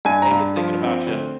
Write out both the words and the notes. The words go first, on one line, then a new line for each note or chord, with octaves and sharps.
"Hey, been thinking about you,"
G2 G#5
A#5
G2
F3
C4
D2